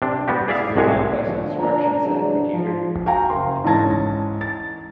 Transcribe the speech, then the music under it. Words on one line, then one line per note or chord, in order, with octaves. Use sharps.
This is a complex instruction set computer.
C3 D4
G3 B3 F#4 G4
G#4 D5 E5 F5
C2 A2 G#3 F#4 G#4 C#5
B2 D3 F3
C#4 D4 A#5
C3 E3 F#3 G#3 D4
F3
F#4 F5 G5 G#5 A#5
F#1 C6
G#2 E3 C#4 A5 G#6 A#6
A6